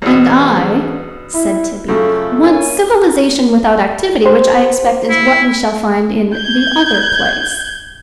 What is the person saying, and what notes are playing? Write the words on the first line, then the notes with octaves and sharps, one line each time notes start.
"And I," said Tibby, "want civilization without activity, which, I expect, is what we shall find in the other place."
E2 G#2 B2 E3
E4
F#2 C#3 A3 F4 A4
A#3 C#4 G#5
G4 C5
E4
G6 G#6